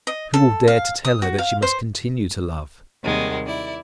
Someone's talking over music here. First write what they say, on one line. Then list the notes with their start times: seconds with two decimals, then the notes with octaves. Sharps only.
Who will dare to tell her that she must continue to love?
0.07 D#5
0.34 A4
0.68 F5
1.05 D#6
1.22 F#4
1.38 F5
1.62 C5
3.04 D#2 C3 D#3 G3 G#3 F#5
3.46 E4 D5